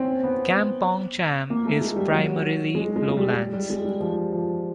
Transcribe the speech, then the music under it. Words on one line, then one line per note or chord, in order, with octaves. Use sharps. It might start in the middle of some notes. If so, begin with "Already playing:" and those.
Kampong Cham is primarily lowlands.
Already playing: C4 C#4
B3
A#3
A3
G#3
G3
F#3
G#3
G#3
G#3
G3
G3
G#3
G3
F3
F3